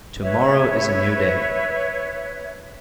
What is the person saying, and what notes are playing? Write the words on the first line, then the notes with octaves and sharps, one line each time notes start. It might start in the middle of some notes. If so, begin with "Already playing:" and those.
Tomorrow is a new day.
B4 C#5 E5